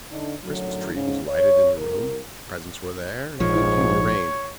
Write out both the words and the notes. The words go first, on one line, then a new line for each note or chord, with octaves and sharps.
The Christmas-tree was lighted in the room; presents were there, and good-humor reigned.
D3 D4 D#4
F#2 A2 D3 F#3
G#2 C#3 C#4
C#5
C2 A#4
A#1 G#2 F3 C#5